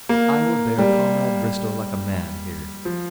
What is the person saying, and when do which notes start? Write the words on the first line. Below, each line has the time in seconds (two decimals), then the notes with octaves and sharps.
I will bear Comrade Bristow like a man here.
0.09 A#3
0.78 G3
2.85 F3